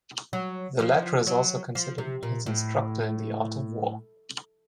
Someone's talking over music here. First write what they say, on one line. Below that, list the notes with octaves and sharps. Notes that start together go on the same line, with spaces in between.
The latter is also considered his instructor in the art of war.
F#3
F3
F#3
F3
C3
A#2
A2